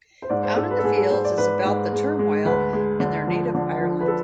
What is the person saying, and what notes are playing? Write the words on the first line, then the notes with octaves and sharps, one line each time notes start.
"Out in the Fields" is about the turmoil in their native Ireland.
C5
G#2 D5
C5
G#2 A4
B4
A4
G#2 G#4
A4
G#2 C5
D5
G#2 B4
G#2
G#3
G#3
D2 B4
G#3
D3
F3
D3
F3
B4
A4